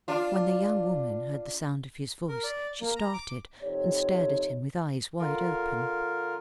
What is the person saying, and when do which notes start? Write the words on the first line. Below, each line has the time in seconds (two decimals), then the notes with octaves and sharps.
When the young woman heard the sound of his voice, she started, and stared at him with eyes wide open.
0.08 D4 F4
2.29 A#4
2.43 D5
2.81 A#3
2.96 A#5
3.13 D6
3.62 F2 C3 D#4 C#5
5.19 D3 F4 A#4